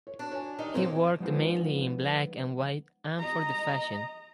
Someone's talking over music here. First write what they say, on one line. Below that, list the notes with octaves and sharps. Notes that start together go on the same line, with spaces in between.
He worked mainly in black and white and for the fashion.
C#5
D4 F#4
C#5 G#5
D#3 G3 D#4
A#2 C#3 A#3 C4
F3 G#3 B3 D4 D#4 F4
D#5 A#5